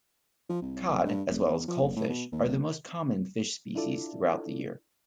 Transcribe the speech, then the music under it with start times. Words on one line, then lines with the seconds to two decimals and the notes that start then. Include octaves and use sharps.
Cod, as well as coalfish, are the most common fish species throughout the year.
0.49 F3
0.62 C2
0.88 B1
1.05 G2
1.29 E1
1.45 E2
1.68 F3
1.82 F#1
1.96 A2
2.09 B2
2.32 D#2
2.45 D1
3.75 D4 E4 F4 A4 D5